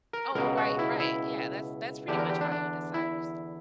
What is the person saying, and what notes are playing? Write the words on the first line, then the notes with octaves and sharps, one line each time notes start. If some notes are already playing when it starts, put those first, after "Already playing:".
Oh, right right, yeah, that's that's pretty much how you decide who's
A#4
C#2 B2 A#4
F#4
E4
E4
E2 D3 G4
A#4
G4
D4
D4
E4